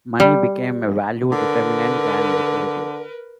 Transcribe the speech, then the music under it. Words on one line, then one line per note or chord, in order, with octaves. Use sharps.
Money became a value-determinant than utility.
G3
D3 A#4 B4